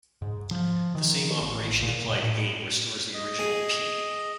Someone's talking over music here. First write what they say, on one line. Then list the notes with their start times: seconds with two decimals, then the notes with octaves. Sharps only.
The same operation applied again restores the original "P".
0.22 G#2
0.51 F3
0.95 D#3
1.41 A1
1.82 A#2
2.12 A2
3.14 D#5
3.39 G#4